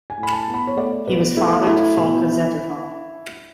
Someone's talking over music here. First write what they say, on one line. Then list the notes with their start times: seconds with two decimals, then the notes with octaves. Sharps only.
He was father to Folke Zettervall.
0.10 G#5
0.17 A2
0.23 B5
0.33 A5
0.48 B3
0.54 B5
0.67 C#5
0.76 A3 D5
1.07 B2 B4
1.37 A3 E4
1.67 A3 E4
1.97 B2